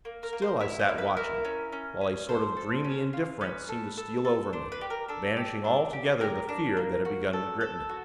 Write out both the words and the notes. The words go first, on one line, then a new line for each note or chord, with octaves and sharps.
Still, I sat watching; while a sort of dreamy indifference seemed to steal over me; banishing altogether the fear that had begun to grip me.
A#3
A#4
A#3
C5
E4 C#5
C5
A#3
B4
E4 A#4
C#4
C#4
C#4
A4 C5
A4
C#4
F4
C#4 B4
A4
A4
A4
D4 C5
B4
G4
A#4
D4 A4
G4
D4
G4
G4 A#4
D4
A#3
F#4
A4
A4
F#4